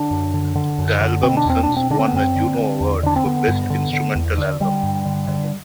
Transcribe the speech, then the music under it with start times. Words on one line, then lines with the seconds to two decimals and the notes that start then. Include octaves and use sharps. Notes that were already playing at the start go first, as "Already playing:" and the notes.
The album since won a Juno Award for best instrumental album.
Already playing: D3 D4
0.11 F#2
0.34 D3
0.55 D3
0.78 F#2
1.01 D3
1.23 B2 C4
1.37 D4
1.46 E2 C4
1.63 D4
1.68 B2
1.76 C4
1.90 D3 D4
1.99 C4
2.08 B3
2.13 F#2 C4
2.36 D3
2.58 D3
2.81 E2
3.03 D3 D4
3.16 C4
3.26 D3 B3
3.48 G2
3.70 D3
3.93 D3
4.15 E2
4.38 D3
4.60 D3 G3
4.83 G2
5.05 D3
5.28 D3